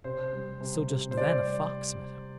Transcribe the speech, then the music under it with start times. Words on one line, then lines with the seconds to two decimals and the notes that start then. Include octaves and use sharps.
So just then a Fox met him.
0.04 C3 C5
0.32 G3
0.61 C3
0.89 C3
1.11 C5
1.17 G3 D5